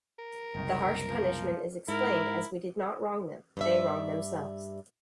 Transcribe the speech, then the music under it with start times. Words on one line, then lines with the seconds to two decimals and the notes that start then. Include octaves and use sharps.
The harsh punishment is explained as We did not wrong them; they wronged themselves.
0.19 A#4
0.55 F#1 C2 D#3
1.09 F3
1.88 G#2 E4 A#4
3.57 G2 D5 E5